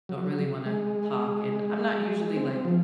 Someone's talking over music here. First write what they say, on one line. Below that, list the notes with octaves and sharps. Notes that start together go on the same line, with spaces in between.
don't really wanna talk. And I'm not usually, like
F#3
G#3
C4
F3